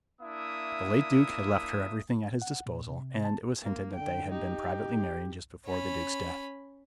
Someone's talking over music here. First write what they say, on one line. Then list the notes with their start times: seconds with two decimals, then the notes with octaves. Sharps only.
The late Duke had left her everything at his disposal, and, it was hinted that they had been privately married just before the Duke's death.
0.21 A#3 D4 E4 E5 D#6
2.42 F#5
2.66 A#2
2.89 C3
3.25 A5
3.62 A#3
3.96 D3 G5
4.31 D#4 G4
5.65 C#4 B5